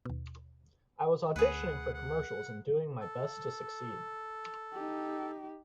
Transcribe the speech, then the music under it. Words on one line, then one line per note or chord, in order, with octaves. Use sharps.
I was auditioning for commercials and doing my best to succeed.
D#2 B2
D2 G#4 B4 F#5
F#5
A4
D#4 G4